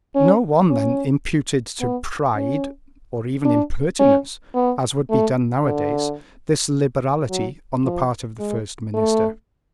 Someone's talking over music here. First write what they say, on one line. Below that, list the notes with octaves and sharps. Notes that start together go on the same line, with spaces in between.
No one then imputed to pride, or even impertinence, as would be done nowadays, this liberality on the part of the first minister.
C#4
C#4
B3
C#4
D4
C#4
B3
A3
D3
F#3
F3
G#3
A3